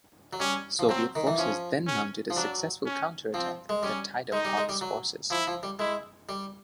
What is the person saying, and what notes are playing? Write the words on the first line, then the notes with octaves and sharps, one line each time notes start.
Soviet forces then mounted a successful counterattack that tied up Hoth's forces.
F#3
G3 C#4
F3
F#3 C4
D#3
E3
F3 C#4
C#4
F3
F#3 D4
C#4
F3 C4
G#3
G3 C#4
G#3 D#4
G3
G#3
G3
F#3
F3 E4
F3
G3
G#3 E4
G3